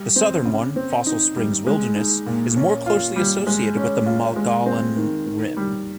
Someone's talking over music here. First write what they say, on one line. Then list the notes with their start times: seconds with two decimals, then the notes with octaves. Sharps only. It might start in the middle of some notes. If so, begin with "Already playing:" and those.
The southern one, Fossil Springs Wilderness, is more closely associated with the Mogollon Rim.
Already playing: G3
0.16 C4
0.45 C#3
0.76 C4
1.06 D#4
1.36 G3
1.67 G#3
1.96 D#4
2.26 A#2
2.57 C#4
2.86 F4
3.16 G3
3.47 G#3
3.76 C#4
4.06 F4
4.36 G#3
4.66 C4
4.96 D#3
5.26 D#3
5.57 G3